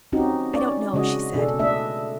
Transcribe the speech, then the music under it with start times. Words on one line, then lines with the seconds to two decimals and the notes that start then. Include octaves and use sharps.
"I don't know," she said.
0.12 C4 C#4 D#4 F#4 G4
0.54 C#4 C#5 D5
0.93 C#3 G#3 D4 F#4 D#5
1.34 B2 D4 G#4 A4
1.59 A3 D4 D#5 E5